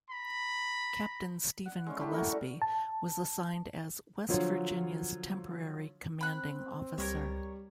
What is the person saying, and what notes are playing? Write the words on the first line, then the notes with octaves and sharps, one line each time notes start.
Captain Stephen Gillespie was assigned as "West Virginia"s temporary commanding officer.
A#5 B5
F#5
G#3 C#4 E4
A3 G4 B5
F#4 A#4
D3 A4
A5
D3 F3 F#3 F4 C#5
C4 B5 F#6
C#2 G3 A#4 B4 C#5